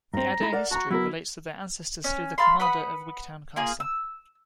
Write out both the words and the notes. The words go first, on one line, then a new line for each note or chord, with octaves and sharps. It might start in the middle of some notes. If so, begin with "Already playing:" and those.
The Adair history relates that their ancestor slew the commander of Wigtown Castle.
G2 C4 A#5
G#3 E4 B5
A#4 D5 F#5
F#4 A5 A#5
F#3 B3 E4 A#4
C#4
A4 F5 B5 C6
B4 F#5 B5 D#6
A#3 F4 G#4
E6